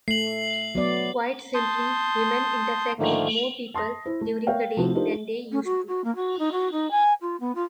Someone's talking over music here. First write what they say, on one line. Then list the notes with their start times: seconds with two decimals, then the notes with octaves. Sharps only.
Quite simply, women intersect with more people during the day than they used to.
0.08 A3 C7 F#7
0.75 F#3 B3 D5
1.55 A5 C6 D#6 G6
2.99 G#2 D3 D#3 F3 A3 A#3
3.74 A5 C6 D#6 A#6
4.05 E4 C5
4.21 A3
4.47 A#4 C#5 E5 F5 G5
4.77 C3 F3 A3 E4 F#4
4.95 D4 D#4 F4 G4 A#4 C5
5.52 C#4
5.64 F#4
5.88 F#4
6.04 A#3
6.16 F#4
6.39 D#4
6.52 F#4
6.72 D#4
6.91 G#5
7.21 F4
7.40 B3
7.55 F4